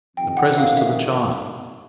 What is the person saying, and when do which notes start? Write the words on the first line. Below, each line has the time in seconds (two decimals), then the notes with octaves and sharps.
The presents to the child!
0.17 F2 C3 D#3 G5
0.37 F#5
0.58 F5
0.77 E5